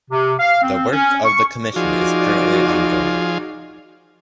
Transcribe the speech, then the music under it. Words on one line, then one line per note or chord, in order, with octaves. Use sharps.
The work of the commission is currently ongoing.
C3
F5
C4
C#4
C#6
F3 D#4 F4 F#4 G#4 D5